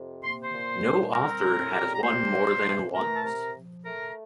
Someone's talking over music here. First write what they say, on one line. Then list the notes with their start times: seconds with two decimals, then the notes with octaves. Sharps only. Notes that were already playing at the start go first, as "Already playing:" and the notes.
No author has won more than once.
Already playing: F2 C3
0.23 A#3 C6
0.41 C5 C6
0.54 A#2
0.83 G3
1.13 C4 A#4 A#5
1.44 A2
1.73 G3
1.93 A#5
2.03 A#3 C5 C6
2.34 G2
2.64 E3
2.94 A3 A#4 A#5
3.13 A5
3.24 C3 A#4 A#5
3.54 F3
3.84 A3 A#4 A#5
4.09 A#5